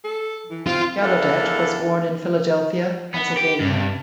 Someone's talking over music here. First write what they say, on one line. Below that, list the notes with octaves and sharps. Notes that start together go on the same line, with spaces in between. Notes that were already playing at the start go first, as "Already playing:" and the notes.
Gallaudet was born in Philadelphia, Pennsylvania.
A4
E3
C4 F4
E2 D4 E4 A4 A#4 F5
B3
G4
G2